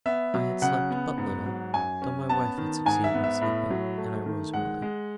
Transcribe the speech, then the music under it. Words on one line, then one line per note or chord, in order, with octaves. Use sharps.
I had slept but little, though my wife had succeeded in sleeping, and I rose early.
B3 E5
F#3
C#3 F#5
B3
G#2
F#3
F#2 G#5
C#4
B3 A5
D#3
G#2 G#5
E5
B3
E5
A2
F#3
A3
D#3
G#3 F#5
G#3